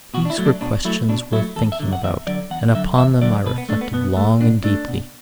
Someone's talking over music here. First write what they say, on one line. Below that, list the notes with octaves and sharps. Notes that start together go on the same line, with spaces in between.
These were questions worth thinking about, and upon them I reflected long and deeply.
B2 F#4
D4
E4
F#3 A3
D4
B2 D4
F#3 A3 E4
B2 D4
F#3 A3 E4
E2 A4
E5
D3 F#3
F#5
E2 E5
D3 F#3 D5
E2 F#5
D3 F#3 E5
E2 E5
D3 F#3 D5
B2 B4
B3
A3 D4
B3
B2 B3
A3
B2 D4
A3 D4
B2